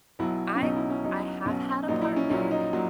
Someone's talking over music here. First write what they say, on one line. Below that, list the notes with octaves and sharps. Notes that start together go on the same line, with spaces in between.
I I have had a partner,
B1 B2 F#3 E4
C#4
B1 B2 F#3 D#4
E4
C#4
B1 B2 F#3 D#4
B1 B2 F#3 C#4
A#1 A#2 F#3 D#4
E4
C#4
A#1 A#2 F#3 C#4
D#4
A#2 F#3